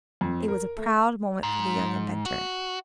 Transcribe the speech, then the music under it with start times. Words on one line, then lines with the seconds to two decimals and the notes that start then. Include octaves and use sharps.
It was a proud moment for the young inventor.
0.21 F2
0.48 A#4
0.77 A3
1.43 G#2
2.26 F#4